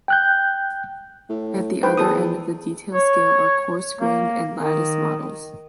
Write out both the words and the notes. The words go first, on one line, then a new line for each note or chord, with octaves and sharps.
At the other end of the detail scale are coarse-grained and lattice models.
G5 F#6 G6
A2
G#2 B4 C5 G5
E2 G#4 A4 D#6
C#5
A#3
D#3